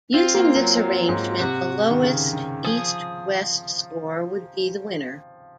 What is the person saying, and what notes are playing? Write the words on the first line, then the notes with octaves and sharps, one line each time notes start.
Using this arrangement, the lowest East-West Score would be the winner.
C4 F4
A#3
F#3
F#3
G#2
C3 F#4
D#3
C#3
D#3
F3 G#4